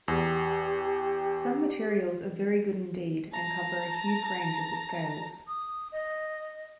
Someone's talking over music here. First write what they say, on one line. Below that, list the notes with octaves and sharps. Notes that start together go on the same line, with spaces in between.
Some materials are very good indeed and cover a huge range of the scales.
E2 G4
A5 A#5
D#6
D#5